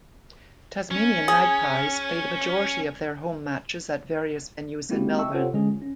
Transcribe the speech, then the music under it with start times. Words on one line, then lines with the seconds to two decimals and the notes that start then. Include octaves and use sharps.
Tasmanian Magpies play the majority of their home matches at various venues in Melbourne.
0.91 C#4
1.28 G#4
4.89 G#3 A#3 C4 E4 F#4 G4
5.18 D#5 E5 G5 A5 C#6 E6
5.34 F4 G4 A4 C5 C#5 F#5
5.54 D3 G#3 C#4 G#4
5.69 G1
5.82 C#4